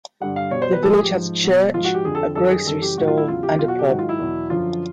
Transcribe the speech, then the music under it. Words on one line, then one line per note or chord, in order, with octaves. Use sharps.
The village has a church, a grocery store and a pub.
G2 D3 G3 F#5
F5
B2 G3 C#5
C5
B4
A2 F3 A4
G#4
G4
G#2 F3
B2 F#3
G#2 F3 F4
F#4
G4
F2 D3 F3 G#4
A4
F#2 D#3 G3 A4
G#4
F#2 C#3 E3 G3 A4
G4
A2 F#3 F#4
F4
E4
E2 C#3 F#3 F4
G4
B2 F#3 F4
F#4
G4
G#2 D#3 F#3 F#4
F4
E4
E2 B2 F#3
F#2 D3 F3 F4